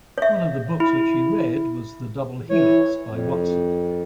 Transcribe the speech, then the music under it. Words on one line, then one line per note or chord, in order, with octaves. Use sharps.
One of the books which he read was "The Double Helix" by Watson.
C#5 E5
E4
E3 C#5
F2